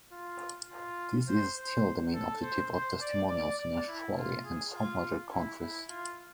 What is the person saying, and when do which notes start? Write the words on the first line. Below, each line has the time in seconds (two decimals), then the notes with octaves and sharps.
This is still the main objective of testimonials in Australia and some other countries.
0.12 F4
0.70 F4
1.28 C5
1.57 C5
2.14 A4
2.43 C5
2.72 C5
3.01 D5
3.30 D5
3.58 D5
3.88 E4
4.16 F4
4.44 G#4
4.73 F4
5.31 E4
5.60 E4
5.89 F4